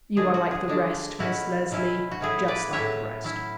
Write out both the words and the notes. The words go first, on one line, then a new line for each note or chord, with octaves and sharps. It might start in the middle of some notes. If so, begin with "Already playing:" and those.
You are like the rest, Miss Leslie; just like the rest.
D3 G#3 D4 G#4
F#4
G#4
D3 G#3 D4
B2 F#3 C#4 E4 F#4
B2 F#3 C#4 E4
F#4
A2 F#3 C#4 E4 G#4
B4 D5
A2 F#3 C#4 E4 C#5 E5
F#3 C#4 E4